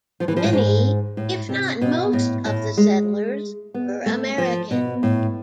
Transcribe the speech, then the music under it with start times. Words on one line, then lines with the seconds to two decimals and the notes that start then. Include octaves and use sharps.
Many, if not most of the settlers, were American.
0.20 F3
0.28 E3
0.36 F3
0.44 A2
0.53 G#2
1.17 A2
1.49 C3
1.81 B2
2.13 A2
2.45 A2
2.77 G#3
3.74 B3
4.06 A3
4.38 F3
4.71 B2
5.03 A2